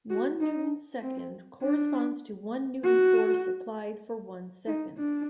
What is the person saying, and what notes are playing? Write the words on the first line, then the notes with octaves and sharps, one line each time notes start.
One newton second corresponds to a one-newton force applied for one second.
F#4
D#4
C4
D4
F#4
D#4
D4